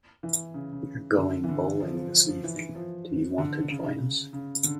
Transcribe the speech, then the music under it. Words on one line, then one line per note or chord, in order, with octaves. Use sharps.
We're going bowling this evening, do you want to join us?
E3
C#3
C#3
D3
E3
D3
F3
F3
F3
E3
F3
D3
C#3
C#3
D3